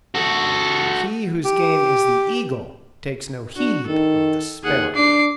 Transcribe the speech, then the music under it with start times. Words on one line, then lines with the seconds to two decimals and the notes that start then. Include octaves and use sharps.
He whose game is the eagle takes no heed of the sparrow.
0.15 F#4 A4
1.45 G4
3.57 D4 F#4
3.87 D#3 A4
4.64 D#2 G#4 F#5
4.96 D4 D6 C7